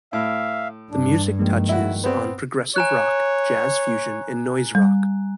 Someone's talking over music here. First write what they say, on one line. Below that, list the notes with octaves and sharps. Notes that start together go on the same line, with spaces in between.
The music touches on progressive rock, jazz fusion and noise rock.
A2 E5 F5
G2 D4
D#3 F3 G#3 A#3
E4 F#4
B3 C4
C#5 G#5 A#5 F#6
G3